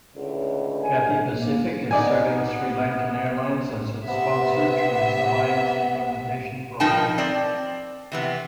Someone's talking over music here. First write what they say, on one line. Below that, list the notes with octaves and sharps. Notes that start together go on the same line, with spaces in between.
Cathay Pacific is serving SriLankan Airlines as its sponsor through its alliance implementation programme.
C#2 A2 D3
G#5
A#3
B3 D#4 D5 G#5
C3 B3 E5 F#5
B2 F3 D#4 A#4 G5 A5
C4 D5
C3 E3 B3